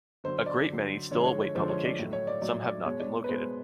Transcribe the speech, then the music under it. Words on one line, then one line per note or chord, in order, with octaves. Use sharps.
A great many still await publication; some have not yet been located.
D3 F#3 C5
D5
D3 F#3
D3 F3 G#3 C#5
C#5
C#5
D3 F3 G#3 C5
C#5
D5
A2 F#3
C#5
D5
A2 F#3 D5
D5
B2 G#3 C#5
D5
C#5
B4
B2 G#3 C5